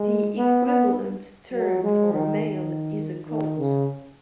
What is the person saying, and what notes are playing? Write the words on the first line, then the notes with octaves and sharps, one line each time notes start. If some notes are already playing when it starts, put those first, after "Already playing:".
The equivalent term for a male is a colt.
Already playing: G#3
B3
B3
F#3
G#3
D#3
D#3
D#3
C#3